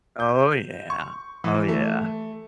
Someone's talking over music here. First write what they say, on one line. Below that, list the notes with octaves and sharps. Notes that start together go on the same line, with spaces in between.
Oh, yeah. Oh, yeah.
G6
C#6
E3
A3